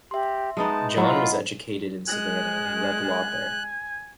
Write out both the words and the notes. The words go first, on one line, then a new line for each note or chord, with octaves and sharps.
John was educated in Savannah and read law there.
G4 E5 C6
G#3 B3 D#4 A5
F#3 E4 F4 D#5 F#5 B5
G#3 G#5 F#6